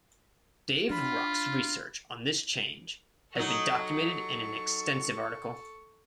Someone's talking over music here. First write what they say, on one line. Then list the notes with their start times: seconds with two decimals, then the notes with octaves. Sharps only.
Dave Ruch's research on this change has been documented in an extensive article.
0.90 D4 F4 B5
3.35 F#3 D#4 A4 C#6